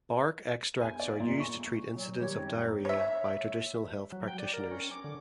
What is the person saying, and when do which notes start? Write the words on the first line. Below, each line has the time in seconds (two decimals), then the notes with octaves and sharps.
Bark extracts are used to treat incidents of diarrhea by traditional health practitioners.
0.81 G#5
1.00 D5
1.20 A#2
1.40 C#6
1.95 A#2 F#3
2.18 D#3 G3 G4 C#5
2.36 F#2 G#3 C4 D#4
2.85 C#5 E5
4.12 F#3
4.28 G5
4.39 D5
4.54 A#4
4.71 C#4
4.91 D6
5.04 D3